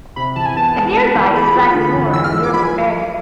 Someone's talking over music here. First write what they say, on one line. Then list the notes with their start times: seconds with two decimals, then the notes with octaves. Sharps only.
Nearby is Baggy Moor and the River Perry.
0.16 C3 B5
0.36 E2 A5
0.46 G#5
0.57 B3 A5
0.76 G#3
0.96 B3
1.15 E3
1.35 G#4 B5
1.55 F4
1.74 D3
1.94 E2
2.13 E2 E6
2.24 F6
2.33 F3 E6
2.43 D6
2.53 F3 B5
2.63 G#5